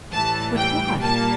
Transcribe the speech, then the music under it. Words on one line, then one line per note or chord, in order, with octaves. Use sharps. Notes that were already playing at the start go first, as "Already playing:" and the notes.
But why?
A2 E3 G3 A5
G5
A#2 G3 A#3 A5